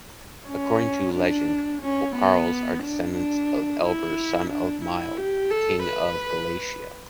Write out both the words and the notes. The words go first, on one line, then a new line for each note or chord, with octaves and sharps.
According to the legend, O’Carrolls are the descendants of Eber, son of Mile, king of Galicia.
C#4
D4
C#4
B3
D4
D4
E4
D4
E4
G4
A4
B4